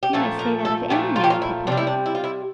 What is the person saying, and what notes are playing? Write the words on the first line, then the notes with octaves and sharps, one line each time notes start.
"You may say that of any man, papa."
G4
A#2 F3 A3 A4
A#4
A4
A#2 F3 A3 G4
F4
G4
F4
E4
C3 G3 D4
E4
D4
E4
F4
E4